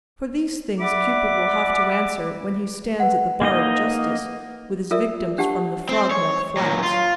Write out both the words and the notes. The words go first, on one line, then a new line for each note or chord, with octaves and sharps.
For these things Cupid will have to answer when he stands at the bar of justice with his victims from the Frogmore flats.
D5 E5 F#5 B5 D6
B4 F#5
A#3 D#4 D#5
F4 A4 A#4 D5 E5
D4 G4 F#5 A5 C#6
C4
C#5
A#2 F#3
F4